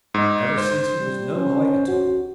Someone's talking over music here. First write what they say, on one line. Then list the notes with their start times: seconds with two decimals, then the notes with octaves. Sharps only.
"Ever since he was--no height at all."
0.14 G#2 D#5
0.58 C5
0.98 G3
1.36 C#4
1.88 F#4